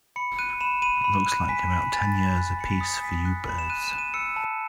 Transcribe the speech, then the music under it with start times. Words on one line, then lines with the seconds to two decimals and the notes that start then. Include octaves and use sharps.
Looks like about ten years a piece for you birds.
0.16 B5 C#7
0.39 F#6 D#7
0.61 B5 E7
0.82 B5 D#7
1.04 B5
1.27 F#6
1.49 G#5 B6
1.71 B5
1.93 G#5 A6
2.16 B5
2.38 F#6
2.59 B5 C#7
2.71 B6
2.81 D#6 A6
3.03 G#5 B6
3.25 F#6
3.47 B5
3.58 E7
3.70 F#6 D#7
3.84 E7
3.91 F#6
3.98 D#7
4.14 E6 C#7
4.36 A5